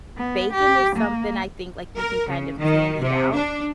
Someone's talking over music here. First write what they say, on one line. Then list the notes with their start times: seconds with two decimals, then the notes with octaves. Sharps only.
bacon is something, I think, like, you can kind of candy-it-out
0.17 B3
0.53 G4
0.96 A#3
1.96 A#4
2.29 C#3
2.58 D#3
3.02 C3
3.35 D4